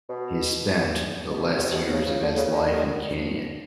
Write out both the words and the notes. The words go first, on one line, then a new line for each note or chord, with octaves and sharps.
He spent the last years of his life in Kenya.
B2
B2
C3
B2
C3
B2
C#3
C#3
D3
C#3
D3
D3
D#3